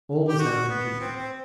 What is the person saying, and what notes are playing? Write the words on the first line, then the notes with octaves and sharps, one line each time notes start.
All was now confusion.
G4
F#4
B3
C4
C4